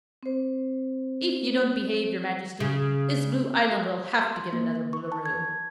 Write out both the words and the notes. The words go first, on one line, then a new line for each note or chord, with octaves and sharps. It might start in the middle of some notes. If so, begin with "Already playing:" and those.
"If you don't behave, your Majesty, this Blue Island'll have to get another Boolooroo."
C4 C5
C#3
G4
C6
A#3
C#6
A5
G#6